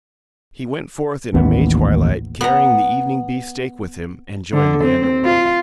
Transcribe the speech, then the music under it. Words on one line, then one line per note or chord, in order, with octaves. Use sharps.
He went forth in a May twilight, carrying the evening beefsteak with him, and joined the underworld.
A1 D#2 B3
B3 A#5
D3
C4
F4